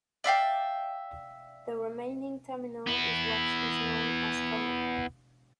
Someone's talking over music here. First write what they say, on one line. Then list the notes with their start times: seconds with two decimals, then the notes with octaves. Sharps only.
The remaining terminal is what is known as "common".
0.24 D5 E5 F5 G5
2.87 B3 E4